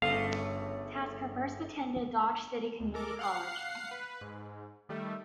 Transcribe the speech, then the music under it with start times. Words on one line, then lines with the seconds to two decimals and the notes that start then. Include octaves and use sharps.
Tasker first attended Dodge City Community College.
0.02 G1 G2 C#3 A3 A4 F5
2.80 D2
2.94 A4 A#4 D6
3.19 F5 F#5 C7
3.91 B4
4.21 G#2
4.89 D#3 G3 A3